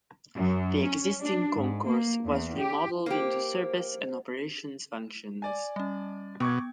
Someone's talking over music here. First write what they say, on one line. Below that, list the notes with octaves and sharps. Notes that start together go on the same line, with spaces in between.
The existing concourse was remodeled into service and operations functions.
F#2
C#4
D4
G#2
A#3
E2
G4
A#3 G4 C5
D5 G#5
G3 C#4
B2 B3 C#6 D6 G#6